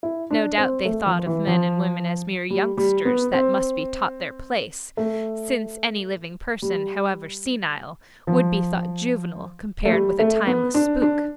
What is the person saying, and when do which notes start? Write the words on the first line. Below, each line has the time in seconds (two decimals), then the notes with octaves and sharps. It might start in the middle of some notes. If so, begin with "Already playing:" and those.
No doubt they thought of men and women as mere youngsters that must be taught their place, since any living person, however senile, would be thought juvenile compared with a timeless spook.
0.03 E4
0.31 D4
0.58 C4
0.85 A3
1.06 F3
1.26 E3
1.47 F3
2.50 G3
2.77 G3
3.05 B3
3.33 C4
4.97 A3
6.62 G3
8.27 F3
9.85 A3
9.92 G3
10.19 A3
10.47 B3
10.74 D4
11.02 D4